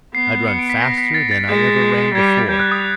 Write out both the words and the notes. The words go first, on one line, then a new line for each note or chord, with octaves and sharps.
I'd run faster than I ever ran before.
B3 C7
C#7
D7
B6
A#6
B6
A6
A6
G#3
G3 G#6
G#6
A6
G3 G6
F#6
D#6